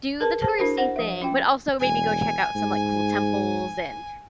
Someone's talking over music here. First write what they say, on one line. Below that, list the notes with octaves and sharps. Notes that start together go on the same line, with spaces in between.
do the touristy thing, but also maybe go check out some, like, cool temples and,
G#4 A#4 B4 A5
G#4 C5 A5
D4 E4 F#4 A#4 C5
C5 F#5
F3 E5
C#4 F4 G5
E1 G#5
G#2